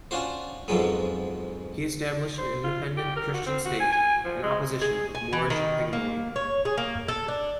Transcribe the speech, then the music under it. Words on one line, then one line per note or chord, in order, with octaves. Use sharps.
He established an independent Christian state in opposition to Moorish hegemony.
C#4 D4 F4 F#4 C5
F2 G#2 F3 F#3 G#3 B3
C5
F4
G4
A#4
F#4
C4
F#4
G#5
G#5
F3
G#3
G#4
G#5
E3
D#3
A#3
C#5
G#4
A#3
A4
D4